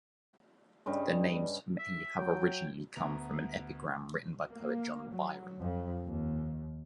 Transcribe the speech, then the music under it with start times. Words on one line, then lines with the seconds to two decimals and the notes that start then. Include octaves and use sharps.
Their names may have originally come from an epigram written by poet John Byrom.
0.86 G2 C#3 G3 D#5
1.79 E5
2.18 F#3 G5
2.96 D2 B3 F#5 A#5 F7
4.50 A#3
5.11 F#3
5.60 F2
6.06 D#2